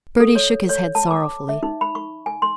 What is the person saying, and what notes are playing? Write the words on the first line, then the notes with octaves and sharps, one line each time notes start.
Bertie shook his head sorrowfully.
A4
C#5
C#5
A5
D6
E5
D#4
B5
C#6
G#5
C6